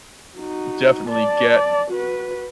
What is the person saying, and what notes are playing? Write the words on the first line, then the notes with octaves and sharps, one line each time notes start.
definitely get
D#4 F#4
D5 A5
F#4 B4